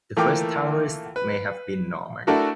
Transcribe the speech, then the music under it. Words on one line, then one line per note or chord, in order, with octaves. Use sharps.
The first towers may have been Norman.
E3 A3 A#3 F4 G5 D6
B4
A3 D4 E4 F#4 A4 A#4